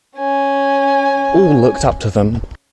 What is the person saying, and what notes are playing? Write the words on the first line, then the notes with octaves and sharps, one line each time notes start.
All looked up to them.
C#4 G#5